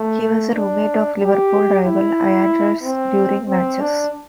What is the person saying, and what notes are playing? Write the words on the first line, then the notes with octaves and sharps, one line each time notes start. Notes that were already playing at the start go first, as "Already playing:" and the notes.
He was a room mate of Liverpool rival Ian Rush's during matches.
Already playing: A3
D4
G4
E4
C4
C4
D4